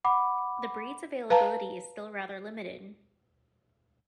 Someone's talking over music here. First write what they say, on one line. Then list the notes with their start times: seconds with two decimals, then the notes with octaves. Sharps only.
The breed's availability is still rather limited.
0.04 F#5 B5 D6
1.30 B4 F5 A5 A#5